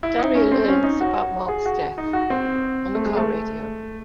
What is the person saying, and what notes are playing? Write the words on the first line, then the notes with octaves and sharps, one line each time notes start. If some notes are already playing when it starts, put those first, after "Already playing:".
Daria learns about Mark's death on the car radio.
E4
D#4
C#4
C4
C#4
D#4
F#4
G#4
F#4
D#4
F#4
C4
A3
G#3
A3